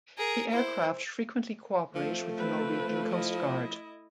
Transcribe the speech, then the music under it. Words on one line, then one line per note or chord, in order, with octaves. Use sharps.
The aircraft frequently cooperate with the Norwegian Coast Guard.
G#4 A#4
E4 C5
F3 A3 C4
C4 B4
E4 D#5